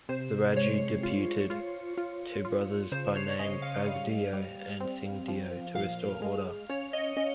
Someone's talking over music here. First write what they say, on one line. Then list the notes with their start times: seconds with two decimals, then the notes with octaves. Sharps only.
The Raja deputed two brothers by name Baghdeo and Singhdeo to restore order.
0.09 C3 C5
0.56 G#3 C#5
1.03 F4
1.50 F4
1.97 F4
2.45 F4
2.92 C#3 C5
3.16 C#5
3.29 C#5
3.39 C#3 D#5
3.62 F5
3.87 G3
4.33 G3
4.80 C4
5.28 F3
5.75 A#2 F5
6.22 G#3
6.69 C#4 C#5
6.93 D#5
7.17 C#4 D#5